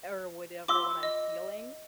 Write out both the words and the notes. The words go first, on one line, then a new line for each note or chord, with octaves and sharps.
or whatever when I'm feeling.
F4 F5 C6 D6 E6
D#5